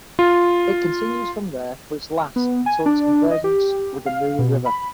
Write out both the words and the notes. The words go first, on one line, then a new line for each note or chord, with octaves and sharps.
It continues from there for its last until its convergence with the Mooi River.
F4
B3
G#5
D4
D#5
G4
F5
B2
B5